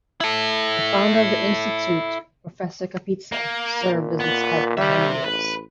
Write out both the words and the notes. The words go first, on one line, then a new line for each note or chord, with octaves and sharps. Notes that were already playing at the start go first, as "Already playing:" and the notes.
The founder of the Institute, Professor Kapitsa served as its head for many years.
E4 A4
A#3
A#2
B3
G3 C4 E5
A1 B4